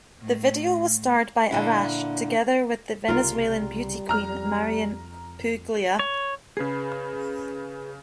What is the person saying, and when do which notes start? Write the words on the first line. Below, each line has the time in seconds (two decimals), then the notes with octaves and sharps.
The video was starred by Arash, together with the Venezuelan beauty queen, Marianne Puglia.
0.20 A2
1.51 A#2 D3 E4
3.08 C2 C#3 G3 F4 A#4
4.09 F2 A#5 F6
5.99 C#5
6.57 C#3 G#4 B4 C7